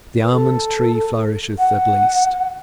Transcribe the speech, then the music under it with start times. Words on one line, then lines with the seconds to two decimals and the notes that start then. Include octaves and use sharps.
The almond-tree flourisheth at least.'
0.24 B4
0.33 A4
1.58 F#5